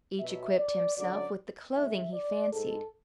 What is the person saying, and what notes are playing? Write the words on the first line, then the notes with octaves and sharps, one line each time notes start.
Each equipped himself with the clothing he fancied.
B2 F#3 E5
D5
F#2 D3 F#3 D5
E2 D3 G#3 E5
D5
G#2 G#3 A4